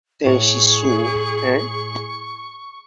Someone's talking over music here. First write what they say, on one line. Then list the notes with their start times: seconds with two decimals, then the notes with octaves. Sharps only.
Tenshi Sou, en.
0.26 A2 G#4 C#6